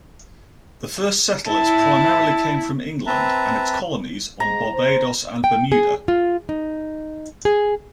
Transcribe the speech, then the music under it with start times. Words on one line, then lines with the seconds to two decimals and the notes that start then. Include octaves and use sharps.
The first settlers primarily came from England and its colonies on Barbados and Bermuda.
1.48 E4 A5
3.06 C4 B4 E5 A5 A#5
4.40 G#2 G#3 A#5
4.72 C5
5.44 G5
5.72 G#4
6.08 F4
6.49 D#4
7.45 G#4